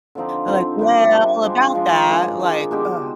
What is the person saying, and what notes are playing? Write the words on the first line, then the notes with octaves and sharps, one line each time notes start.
Like, "Well, about that" like, "Ugh."
D3 F3 C4 D#4
D3 F3 C4 D#4
D#3 G3 D4 G4
D#3 G3 D4 G4
F3 G#3 D4
F3 G#3 D4
D#3 G#3 D4 G#4
D#3 G#3 D4 G#4
B2 G#3 D4 G4